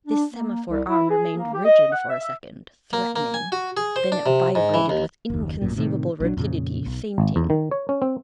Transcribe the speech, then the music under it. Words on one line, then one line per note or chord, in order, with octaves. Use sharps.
This semaphore arm remained rigid for a second, threatening; then it vibrated with inconceivable rapidity, feinting.
D4
A#3
C2
E4
G#4
A#3
G4
D#5
F#5
E5
E5
A#3
A#3
G#5
F#4
G#4
C5
D4
C3
G#2
E3
D#2
F#1 D#2
A1 F#2 A#2
A2 C3 D#3
A#1 F#3 D4
F2 A#2 C#3
B1
G#1
E2
D#3
C#5
C#4
C4